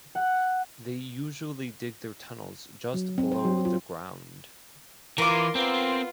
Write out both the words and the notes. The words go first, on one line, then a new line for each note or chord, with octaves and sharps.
They usually dig their tunnels just below the ground.
F#5
F#3
C4
C5
F#3
F4
E3 F4 A#4 C6 D6
B3 C4 F4